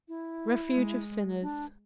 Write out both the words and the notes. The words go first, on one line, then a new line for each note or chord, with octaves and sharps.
Refuge of sinners.
E4
G#3
D4